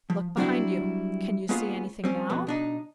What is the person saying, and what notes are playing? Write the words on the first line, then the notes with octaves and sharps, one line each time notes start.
'Look behind you! can you see anything now?'
F3
F#3 G3 C4 D4 E4 F#4
G#3 A#3 B3 C#4 F4 G#4
G3 C4 C#4
F2 B2 B3
B2 D4 D#4